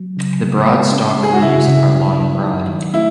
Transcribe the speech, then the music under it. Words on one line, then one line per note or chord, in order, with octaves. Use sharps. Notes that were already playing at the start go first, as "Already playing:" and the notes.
The broad-stalked leaves are long and broad.
Already playing: F#3
C#3
C#3
G#3
C#4
G#3
G#4
F#4
C#3 E4
C#3
F#3
D#2
D#4
D#3
A3 E4